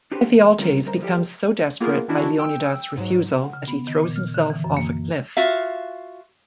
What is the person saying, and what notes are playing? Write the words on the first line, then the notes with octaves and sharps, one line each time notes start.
Ephialtes becomes so desperate by Leonidas' refusal that he throws himself off a cliff.
D4 F#4 G4 A4 B4 C5
E2
D2 G3 C4 C#4 F4 A#4
D2 G3 A#4 C5 A#5
F3 G3 G#3 G4 A4
A#3 B3 F4 G#4 A#4
D#3 E3 C#4 D4 E4 F#4
G5 E6
G#2 F#3
F#5
C#3
B3
D#3
A#2
F6
D3
E3
F#2
A#3
F4 F#4 E5 F5